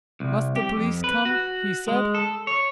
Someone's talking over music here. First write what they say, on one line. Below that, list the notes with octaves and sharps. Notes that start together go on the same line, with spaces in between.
"Must the police come?" he said.
C2
G4
F2
B4
F#4
G#3
A4
C#5